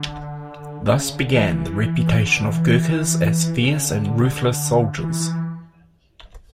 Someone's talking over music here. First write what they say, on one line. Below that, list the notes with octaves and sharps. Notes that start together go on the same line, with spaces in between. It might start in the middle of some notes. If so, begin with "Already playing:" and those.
Thus began the reputation of Gurkhas as fierce and ruthless soldiers.
Already playing: D3
C#3
D3
E3
D3
E3
C#3
D3
E3
E3